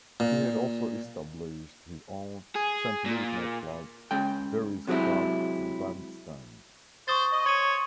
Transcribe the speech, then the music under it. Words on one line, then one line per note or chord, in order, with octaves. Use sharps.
He had also established his own Saint Louis nightclub, Berry's Club Bandstand.
A#2
G#4
A#2
C#3 G#3 G5
C3 F#3 G#3 C4 E4
C5 C#6 D#6 A6
D#5
C#5 C6 D#7